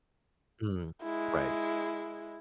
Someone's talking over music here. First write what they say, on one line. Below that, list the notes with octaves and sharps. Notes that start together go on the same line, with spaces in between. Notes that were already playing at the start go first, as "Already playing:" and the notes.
Mm, right.
G#3 E4